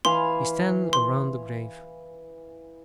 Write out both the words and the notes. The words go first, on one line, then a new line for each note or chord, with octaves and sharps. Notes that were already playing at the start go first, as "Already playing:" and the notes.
We stand around the grave.
E3 F5 G#5 C6
C6